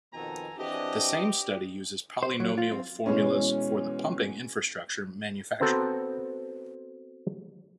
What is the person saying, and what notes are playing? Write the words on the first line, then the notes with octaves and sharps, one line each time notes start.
The same study uses polynomial formulas for the pumping infrastructure manufacture.
F2 B2 D#3 B3 A4 G#5 A#5
E3 C4 D4 F#4 G4 D#5
C5
F#3
F4
C4
B2 E3 G#3 C#4
B3 C4 F#4 A4 A#5